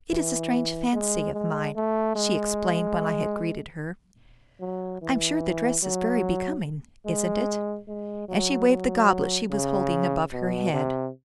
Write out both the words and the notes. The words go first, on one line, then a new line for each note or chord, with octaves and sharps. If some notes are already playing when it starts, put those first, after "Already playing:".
"It is a strange fancy of mine," she explained, when I had greeted her. "I'm sure the dress is very becoming--isn't it?" And she waved the goblet she was holding above her head.
E3
G#3
G#3
A3
G#3
F#3
E3
F#3
G#3
G#3
F#3
F#3
C#3
B2
C3